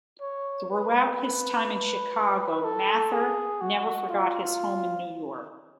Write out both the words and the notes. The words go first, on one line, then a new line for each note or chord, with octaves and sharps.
Throughout his time in Chicago, Mather never forgot his home in New York.
C#5
B4
A4
G#4
F#4
F4